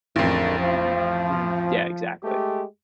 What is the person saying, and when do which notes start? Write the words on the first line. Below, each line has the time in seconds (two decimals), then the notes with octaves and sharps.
Mhm. Mhm. Yeah, exactly.
0.16 A1 F2 G#2 D3 A#4
0.59 F3
2.23 G#3 A3 G4